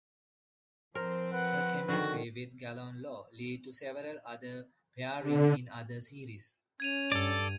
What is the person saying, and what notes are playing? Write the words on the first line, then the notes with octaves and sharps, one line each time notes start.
Her chemistry with Gallen Lo lead to several other pairings in other series.
F3 C4 A#4 C5
B4 F#5
D3 D#3 F#4
D3
C#4 G#6 D#7 F7
G2 A4 D5